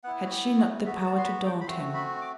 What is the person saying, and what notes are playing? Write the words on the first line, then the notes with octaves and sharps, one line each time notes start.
Had she not the power to daunt him?
B3 E4 F#5
F#4
G4
F#4
B3 F#4 E5
A5
C6
B5
G5
B5
A3 C4 F#4 C6
B5
D6